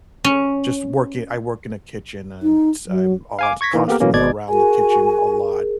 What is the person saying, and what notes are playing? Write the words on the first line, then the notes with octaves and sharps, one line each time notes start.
just work i I work in a kitchen and s I'm ont constantly around the kitchen a lot
C#4
D#4
F#3
F5 G#5 D6
C#6 G#6 A#6 B6
E3 A#3 D#4
A#3 B3 G4 A4 A#4
B2 E3 F#3 A#3 C#4
G#1 B2 D5 G#6
F#4 G#4 A#4 G#5